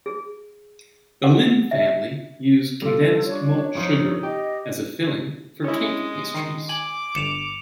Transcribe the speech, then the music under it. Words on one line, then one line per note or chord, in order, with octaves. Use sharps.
The Lin family used condensed malt sugar as a filling for cake pastries.
G#4
F#5
E5
G3 F4 A4
D4 C#5
F2 F3 D#4
G4 D#5
G#3 C#4 E4
D#3 C7
G#5 D6 F#7
G1 C#7 E7 F7